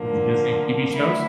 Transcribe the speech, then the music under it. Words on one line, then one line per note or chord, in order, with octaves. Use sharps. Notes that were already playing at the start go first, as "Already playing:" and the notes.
From the Disney TV shows?
Already playing: D3 F3 A#3
D3 A3 E4